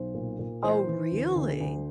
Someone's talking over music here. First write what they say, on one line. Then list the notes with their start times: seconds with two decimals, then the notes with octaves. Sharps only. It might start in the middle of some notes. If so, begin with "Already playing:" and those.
Oh, really?
Already playing: B1 C5
0.14 A#2
0.39 A#2
0.63 E3 C5
0.87 E3
1.12 D2
1.35 D2
1.61 D2